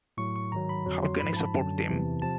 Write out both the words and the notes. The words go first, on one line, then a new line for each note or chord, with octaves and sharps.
How can I support them?
A2 F#3 C#6
C#6
G#2 D#3 F#3 A#5
B5
F2 D3 F#3
C6
G#2 F3 B5
A5
F#2 D3 F#3 A5
E2 C3 E3
C3 F3 A5